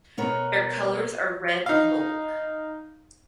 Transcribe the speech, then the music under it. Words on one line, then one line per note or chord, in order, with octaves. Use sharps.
Their colors are red and gold.
B2 B3 A#4 C#5
D#4 F5